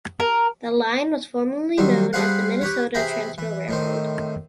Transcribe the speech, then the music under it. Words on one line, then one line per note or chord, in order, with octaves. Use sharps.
The line was formerly known as the Minnesota Transfer Railroad.
A#4
D#3 F#3 G3 C4
G3 G#4 B4 C5 F5 F#5
G4 B4 C#5
C3 E3 G#4 G5 A#5 B5
E3
A2 D#3 C4